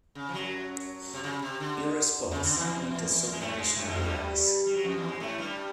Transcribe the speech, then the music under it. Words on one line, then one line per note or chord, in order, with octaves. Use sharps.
In response, Amyntas sought additional allies.
C#3
F3
F#2 F#3
C3
C#3
C3
D3
C#3
D3
E2 E3
G#3
A2 A3
G#2 G#3
A2 A3
G#2 G#3
F#3
G2 G3
G3
F#3
F2 F3
E2 E3
G#2 G#3
A2 A3
G2 G3